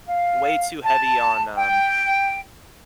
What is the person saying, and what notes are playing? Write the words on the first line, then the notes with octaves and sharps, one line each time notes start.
way too heavy on, um,
F5
A5
G5